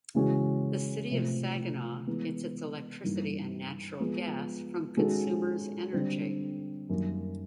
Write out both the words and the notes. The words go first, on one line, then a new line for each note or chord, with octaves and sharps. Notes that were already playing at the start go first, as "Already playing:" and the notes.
The City of Saginaw gets its electricity and natural gas from Consumers Energy.
C#3 E3 G#3 C#4 F#4
C3 F3 A3 C4
E3 G#3 B3
G2 E3 G3 A#3 D#4
F3 G#3 B3
D#3 G#3 C#4 F#4 A4
D3 G3 C4
F#2 D#3 G3 A#3